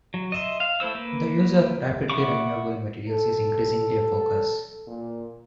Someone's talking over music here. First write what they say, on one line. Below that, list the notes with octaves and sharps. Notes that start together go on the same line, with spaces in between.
The use of rapidly renewable materials is increasingly a focus.
F#3
D#5 E5 C6
F5
A3 E4 C5 E6
A#3 B4
E5 F#5 B5 C#6 D6
A4
A#2